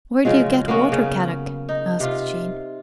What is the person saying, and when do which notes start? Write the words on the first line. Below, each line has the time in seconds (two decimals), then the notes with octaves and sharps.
"Where do you get water, Kadok?" asked Jean.
0.25 C#3 F3 F#3 G#3
0.68 A#3 B3 C#4 F#4
0.92 C#3
1.69 D#4
2.00 C3 F4